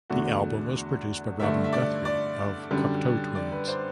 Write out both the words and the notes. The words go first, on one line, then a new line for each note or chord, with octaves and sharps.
The album was produced by Robin Guthrie of Cocteau Twins.
E2 D3 A3 F#4
G2 D3 A3 E5
E5
D5
D5
F#2 D3 G3
D5
B4
C5